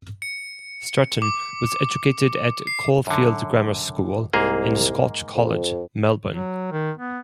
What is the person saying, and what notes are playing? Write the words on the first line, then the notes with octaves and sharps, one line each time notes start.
Stretton was educated at Caulfield Grammar School and Scotch College, Melbourne.
C#7
D6
C7
F#2 D3
C2 G#2 A#3 G#4
F2
F#3
D#3
B3